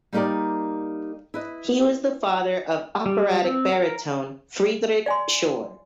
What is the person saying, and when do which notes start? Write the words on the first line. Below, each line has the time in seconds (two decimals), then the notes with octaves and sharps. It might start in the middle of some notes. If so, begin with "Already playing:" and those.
He was the father of operatic baritone Friedrich Schorr.
0.13 G3 A#3 D#4 G4 A#4 D5
1.34 E4 B4 D#5
3.06 G3
3.44 C4
3.72 A#4
5.06 D5 G#5 C6